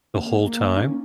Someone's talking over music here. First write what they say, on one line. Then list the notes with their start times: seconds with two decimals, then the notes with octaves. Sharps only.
The whole time?
0.14 C#4
0.18 A#3
0.45 A#3
0.75 D#4
0.79 C#4